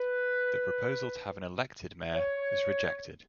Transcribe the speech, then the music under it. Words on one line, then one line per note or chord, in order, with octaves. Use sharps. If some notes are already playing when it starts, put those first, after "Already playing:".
The proposal to have an elected Mayor was rejected.
Already playing: B4
C#5